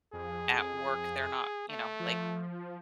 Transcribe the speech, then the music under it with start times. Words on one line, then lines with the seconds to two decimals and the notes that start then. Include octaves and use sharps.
at work, they're not, you know, like,
0.13 F2 G#4
1.69 A3
2.00 F3